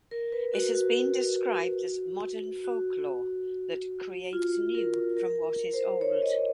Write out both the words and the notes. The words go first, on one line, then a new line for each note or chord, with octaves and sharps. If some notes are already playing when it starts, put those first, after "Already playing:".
It has been described as "modern folklore" that "creates new from what is old".
A#4
B4
F#4
F#4
F#4
F4
A#4
A#4
C5
C#5
D#5